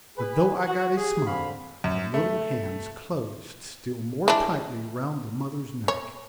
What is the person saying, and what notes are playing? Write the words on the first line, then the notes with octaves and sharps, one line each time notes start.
But though I got a smile, the little hands closed still more tightly round the mother's neck.
G#4 B4
F#4
G4 G#4
D3 C4 F5 B5
F#2
A3
E3 G#3 D4
C#5